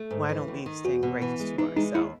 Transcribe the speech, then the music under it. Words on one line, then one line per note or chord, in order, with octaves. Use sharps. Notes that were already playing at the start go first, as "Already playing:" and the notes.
Why don't we extend grace to ourself?"
Already playing: A3
G#2
E3
D#2
D#3
E2 F#4
B2
E3
G#3
E3 D#4
G#3 D#4
D#2 E4